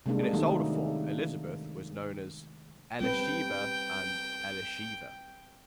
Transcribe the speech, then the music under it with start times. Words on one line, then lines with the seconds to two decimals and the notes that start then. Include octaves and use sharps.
In its older form Elizabeth was known as Elisheba and Elisheva.
0.06 C3 G3 G#3 A#3 D4
0.33 D#3 F#3 G3 A3 A#3 D#4
3.01 G3 C4 B4 G5